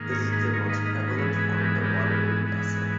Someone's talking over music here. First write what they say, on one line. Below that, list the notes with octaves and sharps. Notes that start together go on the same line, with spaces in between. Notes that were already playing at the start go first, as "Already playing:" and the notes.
This is the most prevalent form of waterborne vessel.
Already playing: G#2 D#3 A#3
A#4 C#5
G#4 B4
G#2 D#3 A#3 A#4 C#5
B4 D#5
B4 D#5
B4
G#2 E3 G#3 B3 A#4 C#5
G#4 B4
G4 A#4
G#2 E3 G#3 B3 G4 A#4
G#2 E3 G#3 B3